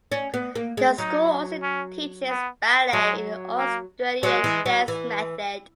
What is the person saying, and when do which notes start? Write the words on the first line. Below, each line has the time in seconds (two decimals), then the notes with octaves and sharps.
The school also teaches ballet in the Australian dance method.
0.12 C#4
0.34 B3
0.55 A#3
0.77 G#3
0.98 F#3 D#4
1.63 C#4
2.28 B3
2.93 F#3 G#3
3.58 A#3
4.23 F#3 G#3
4.44 E3
4.66 F#3
4.88 E3